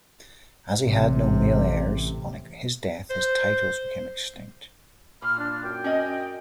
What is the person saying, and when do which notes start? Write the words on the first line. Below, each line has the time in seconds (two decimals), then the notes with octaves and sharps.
As he had no male heirs, on his death his titles became extinct.
0.84 A1 C3
3.10 C5
5.22 A#2 B5 F6
5.38 D4
5.63 F#2 G5
5.84 C#4 D5 D#5